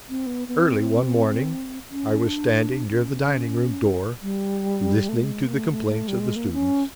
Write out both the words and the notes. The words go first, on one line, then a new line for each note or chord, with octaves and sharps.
Early one morning I was standing near the dining-room door listening to the complaints of the students.
C4
B3
B3
C4
C#4
D4
C#4
C#4
G3
A3
G#3
A#3
A3
A3
A3
G3
G#3
A#3
C#4